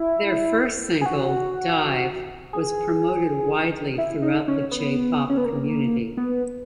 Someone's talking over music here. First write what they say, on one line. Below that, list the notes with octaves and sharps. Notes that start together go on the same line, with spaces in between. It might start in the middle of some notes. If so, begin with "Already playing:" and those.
Their first single "Dive" was promoted widely throughout the J-Pop community.
Already playing: E4
G#4
F#4
G#4
E4
D#4
C#4
B3
C#4
B3
A#3
B3